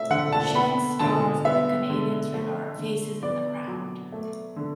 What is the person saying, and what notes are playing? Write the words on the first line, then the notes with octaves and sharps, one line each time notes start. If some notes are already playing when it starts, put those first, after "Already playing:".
Shanks stars in the Canadian thriller "Faces in the Crowd".
Already playing: A3 E5
D3 F#5
A5
B3 B5
D3 A5
B3 E5
D3
A3
D3
B3 D5
F#3
A3
D3